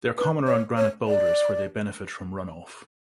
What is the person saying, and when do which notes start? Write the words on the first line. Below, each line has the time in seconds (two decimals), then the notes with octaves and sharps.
They are common around granite boulders where they benefit from runoff.
0.18 B4
0.47 C#5
0.77 C#5
1.07 D5